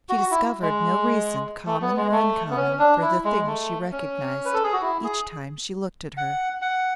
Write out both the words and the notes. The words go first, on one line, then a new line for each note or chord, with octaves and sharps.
But she discovered no reason common or uncommon for the thing she recognised each time she looked at her.
F#4
E4
G#3
A3
B3
G#3
A3
B3
C#4
D4
E4
G#3
A3
C#4
B4
A4
G#4
F#4
E4
G#4
F#5
F#5